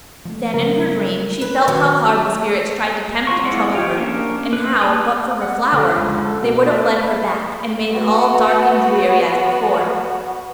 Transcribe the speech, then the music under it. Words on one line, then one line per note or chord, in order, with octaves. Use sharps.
Then in her dream she felt how hard the spirits tried to tempt and trouble her, and how, but for her flower, they would have led her back, and made all dark and dreary as before.
F3 G#3 A3
C#3 F#3 G3 A#4
B4
D#3 F#3
F4 F#4 C5 C#6
G#3 E4 C#5 D5 F#5
F4 G4 C#5
A#3 C#4 D4 A#4
B4 F#6
B4 C#5 A5
F#5
D3
C#2
A4
B2
A3
B5
B3 F#4